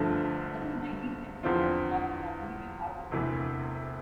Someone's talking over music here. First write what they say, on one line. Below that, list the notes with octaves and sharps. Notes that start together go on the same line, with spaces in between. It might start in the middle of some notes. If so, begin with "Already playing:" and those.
During the nineteenth century such clocks gradually went out of use.
Already playing: G1 G2 D3 F3 A3
E2 D3 F3 C4 F4
E1 D2 C3 E3